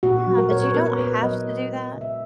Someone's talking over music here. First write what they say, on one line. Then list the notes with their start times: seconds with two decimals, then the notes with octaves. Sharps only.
Yeah, but you don't have to do that.
0.03 A#2 F#4
0.27 F#3
0.38 A#4
0.51 A#2 C#5
0.63 B4
0.75 B3 A#4
0.98 A#2 B4
1.23 F#3 D#5
1.46 E4
1.70 G#3
1.94 C#3
2.01 E5